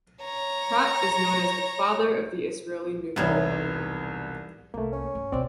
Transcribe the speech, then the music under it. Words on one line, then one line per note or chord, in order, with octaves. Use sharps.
Pratt is known as the "father" of the Israeli nuclear programme.
C#5 A#5
E1 C2 E3 G3 D#4 G#6
C2 A3 A#3
C#4
G2
A#1 B2 C4 D5